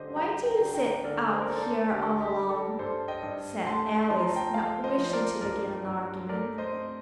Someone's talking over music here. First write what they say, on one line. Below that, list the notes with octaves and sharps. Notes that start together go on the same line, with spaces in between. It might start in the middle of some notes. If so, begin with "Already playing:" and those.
'Why do you sit out here all alone?' said Alice, not wishing to begin an argument.
Already playing: D3 G4 C5 D#5
G3 G5 A#5
G5 A#5
D3
G5 A#5
D3 A#4 D5
C5
A#4
A#3 A4 C5
D5
A4 C5
D3 G4 A#4
G4
G3
A4
G2 A4 C5
D#5 G5
G2
A3 A5 C6
F3 C6
A#5
A5
G5 A#5
A3 F5 A5
C5 D#5
F3
C5
A#4 D5
G2 A#4 D5
G2
A3 A#4 D5
C5 D#5
C4